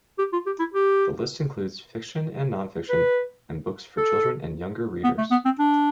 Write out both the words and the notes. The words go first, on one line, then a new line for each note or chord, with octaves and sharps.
The list includes fiction and non-fiction, and books for children and younger readers.
G4
F4
G4
E4
G4
B4
A4
B3
A3
B3
C4
D4